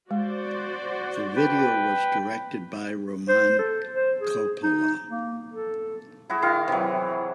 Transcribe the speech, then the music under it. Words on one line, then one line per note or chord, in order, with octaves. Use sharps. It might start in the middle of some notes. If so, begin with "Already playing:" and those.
The video was directed by Roman Coppola.
G#3 F#4 C5 D5
B4 G5
C5
A4
C5
G#4
D#4
A#3
A4
E4 F#4 G#4
D#3 E4 F5
C3 E3 F#3